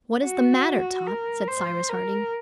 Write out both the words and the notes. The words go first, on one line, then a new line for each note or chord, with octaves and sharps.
"What is the matter, Top?" said Cyrus Harding.
F#4
A#4
C5
A#4